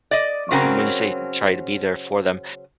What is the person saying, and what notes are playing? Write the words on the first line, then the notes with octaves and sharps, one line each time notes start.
and when you say try to be there for them,
D5 D#5
C#3 F#3 C4 C#4 A#4